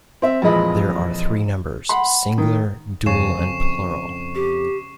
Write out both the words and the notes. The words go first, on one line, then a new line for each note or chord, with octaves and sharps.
There are three numbers, singular, dual and plural.
C4 E5
F2 A#2 E3 G#3 D#5 B5
F#5 B5 C6
D#3
F2 C#3 C#6 C7 E7
G4